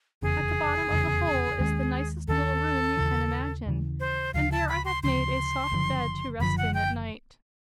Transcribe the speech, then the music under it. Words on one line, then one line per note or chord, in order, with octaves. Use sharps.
At the bottom of the hole is the nicest little room you can imagine, and there I have made a soft bed to rest in at night.
F1 E2 C#3 G#4
F1 E2 C#3
D#2 D#3 G#3 C#4
D#2 D#3 G#3 C#4 A4
D#2 C#3 E3
D#2 C#3 E3
C5
D2 C#3 F3 F5
A5
B5
C6
D2 C#3 F3 C6
F#1 F#2 D3 F3
F#1 F#2 D3 F3 B5
F#5
G5